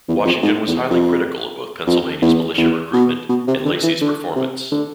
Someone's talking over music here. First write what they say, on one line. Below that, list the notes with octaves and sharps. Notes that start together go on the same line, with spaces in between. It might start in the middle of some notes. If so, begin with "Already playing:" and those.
Washington was highly critical of both Pennsylvania's militia recruitment and Lacey's performance.
E2
F2
G#2
E2
F2
F2
E2
E2
B2
B2
C3
D3
E3
D3
C3
D3